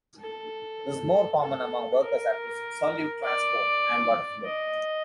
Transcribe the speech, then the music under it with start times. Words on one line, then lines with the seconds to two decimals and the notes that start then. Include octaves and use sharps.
This is more common among workers addressing solute transport and water flow.
0.21 A4
1.42 A4
2.03 A#4
3.24 D5
4.45 D#5